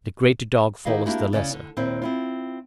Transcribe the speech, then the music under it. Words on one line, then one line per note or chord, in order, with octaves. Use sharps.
The Greater Dog follows the Lesser.
D#3 E4 G4 D#5 F5
A#3 D4 E4 F#4 G4
C#3 C#4 D5
D3
D#2 A#2 C4 E4 C5
C4 E4 F4